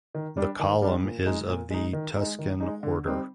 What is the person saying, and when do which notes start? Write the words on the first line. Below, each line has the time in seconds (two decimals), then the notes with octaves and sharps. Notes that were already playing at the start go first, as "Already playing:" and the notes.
The column is of the Tuscan order.
0.14 D#3
0.37 G3 D4
0.59 D#3
0.82 G3 D4
1.04 A#2
1.26 G#3 D#4
1.49 A#2
1.71 G#3 D#4
1.93 D#3
2.16 G#3 D#4
2.39 D#3
2.60 G#3 D#4
2.83 D3
3.05 G3 C4 D#4